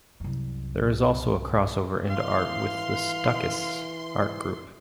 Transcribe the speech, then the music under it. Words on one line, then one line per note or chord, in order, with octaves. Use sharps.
There is also a crossover into art with the Stuckists art group.
C2 F#2
E3 F5 C6